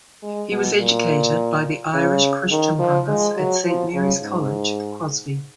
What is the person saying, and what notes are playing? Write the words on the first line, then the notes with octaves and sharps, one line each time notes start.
He was educated by the Irish Christian Brothers at Saint Mary's College, Crosby.
G#3
B2
A#2
C#3
D#3
F3
G#3
F#3
F3
C#3
G#2